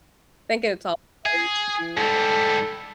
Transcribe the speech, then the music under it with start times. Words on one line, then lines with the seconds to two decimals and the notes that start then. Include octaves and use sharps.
I think it's all better to
1.26 G#4
1.97 G#2 G3 A4